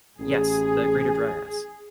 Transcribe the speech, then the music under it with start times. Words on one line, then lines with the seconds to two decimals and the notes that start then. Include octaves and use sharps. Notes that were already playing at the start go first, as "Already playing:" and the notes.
Yes, the Greater Dryas.
0.19 A1 G#4